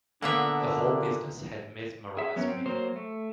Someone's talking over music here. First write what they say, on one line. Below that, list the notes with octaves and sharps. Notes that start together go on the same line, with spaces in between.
The whole business had mesmerised me.
A#2 D3 A#3 B3 D4 E5
G#4 E5
F#3 B3 C#4 A#4
C4
F#3 A#3 C5
A3